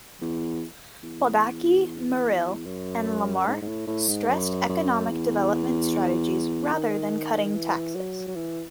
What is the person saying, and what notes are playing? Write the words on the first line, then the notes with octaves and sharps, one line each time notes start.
Baldacci, Merrill and LaMarche stressed economic development strategies rather than cutting taxes.
E2
E2
F#2
G#2
G#2
A2
A2
G#2
F#2
F#2
E2
D#3
D#3
E3
F#3
F#3
E3